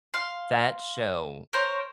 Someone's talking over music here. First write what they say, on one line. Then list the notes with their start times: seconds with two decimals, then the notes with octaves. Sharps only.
That show,
0.14 F5 C6
1.53 A#4 C5 C#5